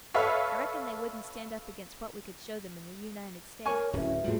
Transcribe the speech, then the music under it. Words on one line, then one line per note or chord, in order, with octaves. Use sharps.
I reckon they wouldn't stand up against what we could show them in the U-nited States.
A4 B4 C#5 E5 F5
A#4 C#5 G#5 C#6
D1 C#4 E4 B4 E5
A2 G3 F4 F#4 G#4